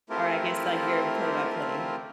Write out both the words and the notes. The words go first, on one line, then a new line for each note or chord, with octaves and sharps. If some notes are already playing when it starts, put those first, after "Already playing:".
Or I guess like your play-by-play.
A3 C4 E4 F4 G4 A#4